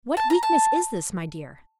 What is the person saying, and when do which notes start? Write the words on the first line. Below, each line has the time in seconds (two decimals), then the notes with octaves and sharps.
What weakness is this, my dear!
0.17 A5
0.30 A#5
0.43 A5